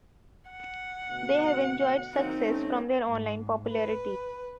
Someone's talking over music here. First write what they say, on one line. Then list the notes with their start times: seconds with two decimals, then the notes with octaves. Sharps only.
They have enjoyed success from their online popularity.
0.51 F#5
1.09 D2 B2
2.14 D#3 F#3 A#3 C4 D#4
2.45 G2 A3 C#4
3.09 G#2
3.69 B4